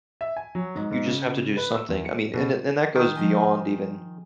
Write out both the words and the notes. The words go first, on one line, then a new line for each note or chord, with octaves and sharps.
you just have to do something. I mean, and th and that goes beyond even
E5
G#5
F#3
G#2
G#2
C#3
B4
E6
E2
C#7
B2
D#3
F3 D#5 G#5